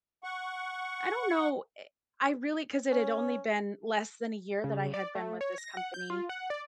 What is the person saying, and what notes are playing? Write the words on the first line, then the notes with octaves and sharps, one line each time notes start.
I don't know I I really 'cause it had only been less than a year that I had been with this company.
F#5 C#6
C#4
C#3
D5
A3
C#5
A#6
F#5
G6
F4
F#5
D5